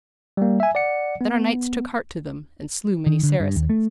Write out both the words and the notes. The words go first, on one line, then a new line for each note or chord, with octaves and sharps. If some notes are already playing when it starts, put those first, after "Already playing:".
Then our knights took heart to them, and slew many Saracens.
G3 A#3
E5 G#5
D5 F#5 C#7
B3
D#3
D3
G2
D#2
A3